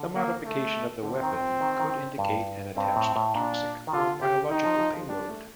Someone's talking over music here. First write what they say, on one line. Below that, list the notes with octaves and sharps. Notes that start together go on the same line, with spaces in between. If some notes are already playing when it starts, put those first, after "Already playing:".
The modification of the weapon could indicate an attached toxic or biological payload.
Already playing: D3
A#3
A3
D3 C4
D#3
F3
D#3
D#3
G2
G2 C4
A2
A2
A#2 D4
D#3
D3 F4
G4
D#3 D#4
F3
F3
F3
G3 D4
A3